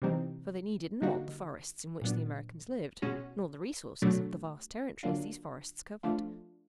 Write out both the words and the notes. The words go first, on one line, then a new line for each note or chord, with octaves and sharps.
For they needed not the forests in which the Americans lived, nor the resources of the vast territories these forests covered.
C3 E3 G3 C4 D#4
D3 G3 A#3 D#4 F#4
A#2 F#3 B3 D4
B2 G#3 C#4 F#4
B2 F#3 A3 D4
D3 F#3 A#3 D4 F4
F3 A3 D4 F4